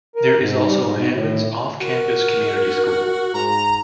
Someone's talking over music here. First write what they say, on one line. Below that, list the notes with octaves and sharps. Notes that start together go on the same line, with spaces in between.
There is also Hammons off-campus community school.
A#4
G#2
G3
G#2
B2
A2
F#4 A#4
G#2 A#5